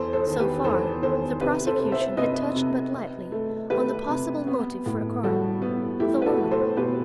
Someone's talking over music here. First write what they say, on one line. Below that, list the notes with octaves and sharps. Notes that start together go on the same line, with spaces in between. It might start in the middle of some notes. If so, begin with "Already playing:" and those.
So far, the prosecution had touched but lightly on the possible motive for a crime--the woman.
Already playing: E2 A4 C5
A4 C5
D#3
G4 B4
E2 A4 C5
D#3 A4 C5
C3 G4 B4
A4 C5
C3
C5 E5
C3 B4 D#5
C3
C3
A3
A3 G4 B4
C3
B3
A2
G3 F#4 A4
B3
A3 E4 G4
B4
F#4 A4
A3
A4 C5
B2 G4 B4